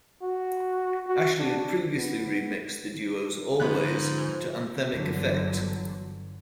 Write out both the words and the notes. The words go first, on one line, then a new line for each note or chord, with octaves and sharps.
Ashley had previously remixed the duo's "Always" to anthemic effect.
F#4
F#4
D4
B3
G#2 D3 F3 B3 F#6
G1 D3 E3 F#3